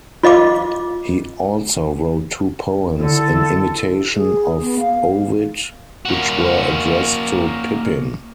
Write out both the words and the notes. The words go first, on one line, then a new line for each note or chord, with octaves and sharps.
He also wrote two poems in imitation of Ovid, which were addressed to Pippin.
F4 D#5 F5 D6
D3 E4 A4
G#4
B3
F5
A#3 F#4